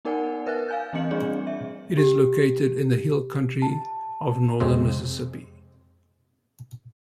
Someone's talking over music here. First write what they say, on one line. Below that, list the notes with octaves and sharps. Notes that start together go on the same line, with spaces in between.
It is located in the hill country of northern Mississippi.
B3 D#4 A#4 D5 F#5 G#5
A#4 B4 E5 F#6 A6
F5 G#5 G6
E3 A3 C4 D#5 C#7 F#7
G3 C4 D4 G#4 D5
E5
G4
A5
F2 C3 G#3 C4